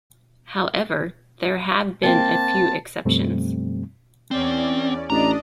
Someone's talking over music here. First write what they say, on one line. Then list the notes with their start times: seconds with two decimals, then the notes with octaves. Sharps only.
However, there have been a few exceptions.
2.03 A#3 C4 A5
3.05 F#2 B2 F3 G3 A3 C4
4.31 E2 C4 C#4 D5
5.10 A1 D4 D5 D#5 A#5